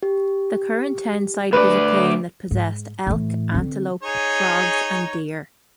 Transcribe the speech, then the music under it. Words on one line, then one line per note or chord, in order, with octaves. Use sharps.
The current town site was a plain that possessed elk, antelope, frogs, and deer.
G4
D2 B4 D5
G#2
A2 E3
D3 C4
D#4 G#4 C#5